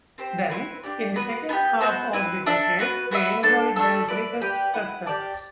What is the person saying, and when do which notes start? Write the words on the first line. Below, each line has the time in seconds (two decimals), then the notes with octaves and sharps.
Then, in the second half of the decade, they enjoyed their greatest success.
0.18 C4 G4 C5
0.50 C4 E4 B4
0.83 D4 G4 D5
1.15 B3 F#4 B4
1.49 B3 D4
1.53 G4
1.81 B3 F#4 C5
2.13 C4 E4 B4
2.46 D4 A4 E5
2.79 B3 F#4 B4
3.11 B3 F#4 B4 E5
3.43 D4 A4 C5
3.76 A3 D4 A4 E5
4.08 E4 B4 D5
4.41 G4 B4 D5
4.74 E4 B4 F#5
5.06 G4 D5 A5